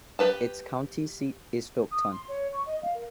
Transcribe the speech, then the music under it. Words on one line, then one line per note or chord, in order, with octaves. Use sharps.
Its county seat is Faulkton.
G4 B4 A5
D#6
C6
C#5
C#6
D#5
F5
A#4